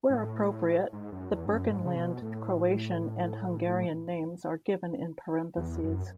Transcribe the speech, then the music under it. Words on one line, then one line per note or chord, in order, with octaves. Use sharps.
Where appropriate, the Burgenland Croatian and Hungarian names are given in parentheses.
G#2
A2
G#2
F#2
E2
G#2
F#2
G#2
C#3
B2
A2
E2
F#2